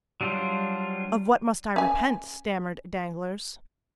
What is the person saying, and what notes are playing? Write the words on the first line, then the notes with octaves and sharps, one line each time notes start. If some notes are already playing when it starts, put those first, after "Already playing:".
"Of what must I repent?" stammered Danglars.
F#3 G3 D4 F4 C5
C#4 G#5